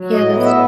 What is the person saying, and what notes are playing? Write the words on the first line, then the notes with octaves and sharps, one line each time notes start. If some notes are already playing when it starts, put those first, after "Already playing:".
Yeah, that's
Already playing: F#3
A2 D#5
B3
E5